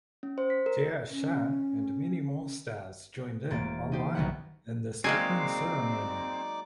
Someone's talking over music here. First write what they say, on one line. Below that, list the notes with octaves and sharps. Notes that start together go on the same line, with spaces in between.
Jaya Ahsan and many more stars joined in online in this opening ceremony.
C#4
C5
B6
A#4
C#4
E1 A#3 A6 D7
D#4 G4 C5
B1 D#3 G3 E4 F#5
F#3 G#3 A#3 C4 D#4 D5 G#5 D6